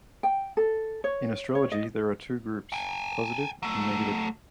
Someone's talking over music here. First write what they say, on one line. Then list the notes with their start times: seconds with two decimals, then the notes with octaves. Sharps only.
In astrology there are two groups: positive and negative.
0.23 G5
0.57 A4
1.04 C#5
1.55 C#5
1.72 D#5
2.72 G5 G#5
3.63 F#3 A3